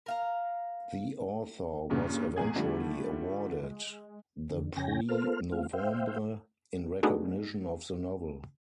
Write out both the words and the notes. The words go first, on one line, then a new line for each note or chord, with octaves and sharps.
The author was eventually awarded the Prix Novembre in recognition of the novel.
A#4 F5 A#5
G2 A#2 C#3
E2 A#2 G#4 G#6
D3 F3 G3 A3
G#3
F2 D3
F2 C#3 C#4 G5 G#5 A#6
B3 F4 A4 A#4 C5 F6
A3 C4 F4 F5
C5 E5 F5 G5
A3 B3 D4 D#4 F#4 G#4